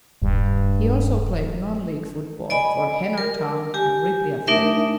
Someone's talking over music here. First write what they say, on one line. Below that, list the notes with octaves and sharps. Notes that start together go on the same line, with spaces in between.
He also played non-league football for Heanor Town and Ripley Athletic.
D#1 G2
D5 D#5 G#5 B5
A#4
G4 G#5
A3 D4 D#4 A#4 E5